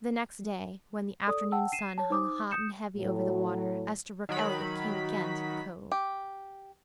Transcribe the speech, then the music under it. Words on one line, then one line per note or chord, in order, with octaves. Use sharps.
The next day, when the afternoon sun hung hot and heavy over the water, Esterbrook Elliott came again to the Cove.
A4 D5 D#6
F#5 G5 A5 E6
C7 D#7 E7
C#5 A5
D#4 C5 D6 D#6
D#6 G6 C#7 E7
A2 F#3
D#3 F#3 B5
G4